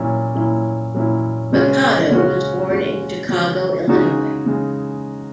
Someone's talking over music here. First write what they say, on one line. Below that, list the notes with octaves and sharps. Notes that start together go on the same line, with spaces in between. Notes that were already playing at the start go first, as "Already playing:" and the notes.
Machado was born in Chicago, Illinois.
Already playing: A#2 F#3 C#4 E4
A#2 F#3 C#4 E4
A#2 F#3 C#4 E4
C#3 G#3 C#4 F#4
C#3 G#3 C#4 F#4
C#3 G#3 C#4 F#4
C#3 G#3 C#4 F#4
C#3 G#3 D#4 F#4
C#3 G#3